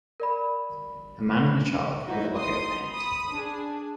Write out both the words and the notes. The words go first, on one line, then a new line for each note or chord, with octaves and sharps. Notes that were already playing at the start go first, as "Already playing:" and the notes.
A man and a child with a bucket of paint.
A#4 D5 B5
D#4 E4 F#4 B4 D#5
D#4 C6 D#6
B5 D#6
D4 G#4